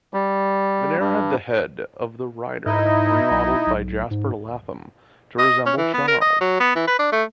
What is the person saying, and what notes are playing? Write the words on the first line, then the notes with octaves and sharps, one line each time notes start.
Vyner had the head of the rider remodelled by Jasper Latham to resemble Charles.
G3
G2
G#2 D#4 E4 D#5
B1
B1
G#2
D#5
C#4
E3
B3
A#4
D#5
F#3
B3
E3
B4
D4
A3